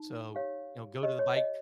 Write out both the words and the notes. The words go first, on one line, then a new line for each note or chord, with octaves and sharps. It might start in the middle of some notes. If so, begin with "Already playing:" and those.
So, you know, go to the bike
Already playing: D#4
G4 C#5 F5
G4 C#5 D#5
C#5
D#5